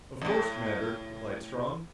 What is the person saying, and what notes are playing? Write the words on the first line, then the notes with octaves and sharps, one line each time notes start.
"Of course, Commander," replied Strong.
F2 A2